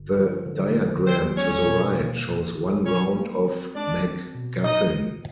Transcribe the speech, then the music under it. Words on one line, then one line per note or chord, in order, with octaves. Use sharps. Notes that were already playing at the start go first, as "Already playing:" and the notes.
The diagram to the right shows one round of MacGuffin.
Already playing: G1
F3
D3
F3
G3 C4 C5
G3 C#4 C#5
B2
A#3
A#2
A#2
G3 C#4 C#5
A#3
C4
G#3 D4 D5
C4
B2
A#2 D#4 D#5
A#2